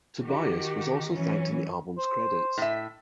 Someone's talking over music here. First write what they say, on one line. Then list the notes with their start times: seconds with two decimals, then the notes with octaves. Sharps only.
Tobias was also thanked in the album's credits.
0.22 D#3 F#4 G4
1.11 E3 F#3 C#4
1.98 C5
2.58 A2 E5